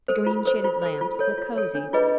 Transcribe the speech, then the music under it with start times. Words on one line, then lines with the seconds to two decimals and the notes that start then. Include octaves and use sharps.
The green shaded lamps look cosy.
0.08 A4 C5
0.27 F4
0.46 A4 C5
0.64 F4
0.82 A4 C5
1.01 F4
1.19 A4 C#5
1.38 F4
1.56 A4 C#5
1.75 D4
1.93 F4 G#4 B4 D#5